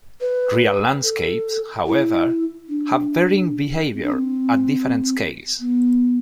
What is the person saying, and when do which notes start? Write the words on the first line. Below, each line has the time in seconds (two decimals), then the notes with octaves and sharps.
Real landscapes however, have varying behaviour at different scales.
0.21 B4
1.03 A4
1.86 E4
2.69 D4
3.94 C4
4.03 D4
4.12 C4
5.60 B3